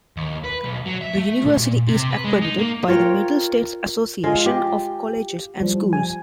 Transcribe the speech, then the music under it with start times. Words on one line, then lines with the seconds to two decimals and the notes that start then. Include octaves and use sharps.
The University is accredited by the Middle States Association of Colleges and Schools.
0.17 D#2
0.44 B4
0.64 B1
0.86 F#3
1.01 E5
1.18 A3
1.45 A#2
1.87 C3
2.10 B4
2.24 G#3
2.42 D#4
2.59 A#3
2.88 F4 A#4 C#5 G5
4.24 G#3 F4
4.46 G4
5.58 F3 G3
5.93 G#5